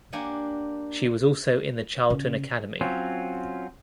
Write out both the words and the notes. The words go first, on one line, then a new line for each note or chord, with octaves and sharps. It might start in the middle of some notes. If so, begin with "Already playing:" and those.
She was also in the Charlton academy.
A#3 D4 G4 F#5 G#5
C#3
F#3 C4 C#4 F4